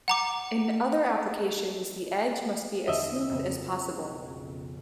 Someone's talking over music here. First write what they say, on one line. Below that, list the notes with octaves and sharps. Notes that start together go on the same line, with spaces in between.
In other applications the edge must be as smooth as possible.
F#5 A#5 D6
E2 D3 D#5 E5
B1 F2 C#3